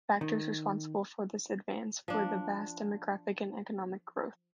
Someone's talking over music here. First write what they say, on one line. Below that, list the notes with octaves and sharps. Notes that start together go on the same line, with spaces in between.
Factors responsible for this advance were the vast demographic and economic growth.
D#3
F3 D4